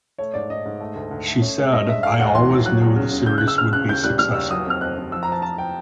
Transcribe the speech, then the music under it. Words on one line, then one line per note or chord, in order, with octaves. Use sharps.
She said, I always knew the series would be successful.
A3 C#5
G#2 D5
G#2 D#5
G#2
A3
D2
D2
A3
C#4
G#3
G2 D#5
G#3 E5
A3 F5
D#2 F#5
E3 C6
D#2
F#3 F#6
E2
C#3
C#3
C#3 G6
F#6
C#3
E6
C#3 F6
C#3 F#6
D#2 G6
G3 F#6
G3 F6
D#2 E6
F#3 D#6
F2 F6
F2 F#6
F2
F3 E6
A#5
F3 A5
F3 A5
F3 G5